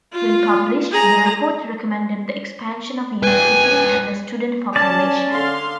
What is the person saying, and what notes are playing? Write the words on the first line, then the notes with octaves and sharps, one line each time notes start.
When published, the report recommended the expansion of universities and the student population.
F4
G#4 A#5
B4 G5 G#5
C#4 D5 A5
D3 F5 C6